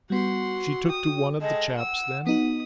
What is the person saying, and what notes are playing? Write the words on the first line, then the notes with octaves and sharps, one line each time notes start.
'She took to one of the chaps then?'
G3 B3 F#4 F#5 C6
G5 D#6
G#3 A4 D#5
F#5 E6
B3 D#4 F#4 D#6